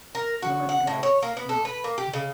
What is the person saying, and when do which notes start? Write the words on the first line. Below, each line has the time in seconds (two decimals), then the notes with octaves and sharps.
Human Rights Now!
0.15 A#4
0.42 F#4
0.69 F#5
0.87 A2
1.03 C#5
1.22 A#3
1.37 B3
1.49 A4
1.65 B4
1.84 A#3
1.98 G4
2.13 C#3